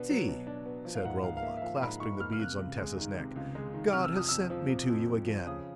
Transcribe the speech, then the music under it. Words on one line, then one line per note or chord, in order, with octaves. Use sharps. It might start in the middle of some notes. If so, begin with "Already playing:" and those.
"See," said Romola, clasping the beads on Tessa's neck, "God has sent me to you again."
Already playing: B2 B3 D4
F#3
B2
D4
B3
F3
F5
G#2 F#5
G#2 F5
F5
A#3 E5
E5
F3 F5
G#2 B5
G#2 C#6
A#3 F6
F6
C3 F#6
C#2
G#3
D#3
C3
C#2
G#3
D#3
C3 F6
E6
F2 D#6
F2 E6
F3
C3
F2
F2
F3
C#3 D#6